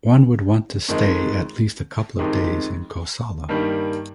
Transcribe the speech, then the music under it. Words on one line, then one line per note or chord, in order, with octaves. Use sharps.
One would want to stay at least a couple of days in Cosala.
F2 D#3 G#3 D#4
F2 D#3 G#3 D#4 G4
G2 D#3 G3 A#3